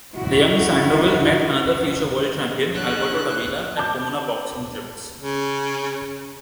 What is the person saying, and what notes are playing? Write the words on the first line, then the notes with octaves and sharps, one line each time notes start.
The young Sandoval met another future world champion, Alberto Davila, at Pomona boxing gyms.
E4 F#4
D3 F#4 G#4 C#5 F#6
A5 B5 D6 G6
C#3